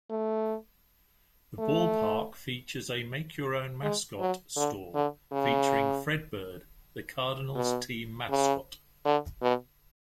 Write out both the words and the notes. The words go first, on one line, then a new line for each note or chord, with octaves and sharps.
The ballpark features a make-your-own-mascot store featuring Fredbird, the Cardinals' team mascot.
A3
A3
G#3
F#3
D3
D3
C#3
B2
C#3
D3
B2